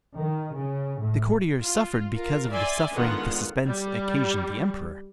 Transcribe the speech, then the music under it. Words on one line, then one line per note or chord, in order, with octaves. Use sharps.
The courtiers suffered because of the suffering the suspense occasioned the Emperor.
D#3
C#3
A2
F4
F4 A#4
D5 E5 G#5 C6
D3 D#3 G#3 B3 F4 F#5
G3